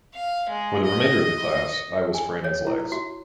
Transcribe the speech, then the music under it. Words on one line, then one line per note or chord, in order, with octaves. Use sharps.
For the remainder of the class, I was Franny’s legs.
F5
G#3
D#5
G#5
C#5
E4
F#4